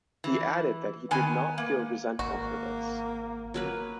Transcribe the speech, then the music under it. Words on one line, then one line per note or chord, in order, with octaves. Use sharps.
He added that he did not feel resentful for this.
E3
D#3 B3 G#5
A#3
G#1 A#3 F#4
F#3 A#3 B4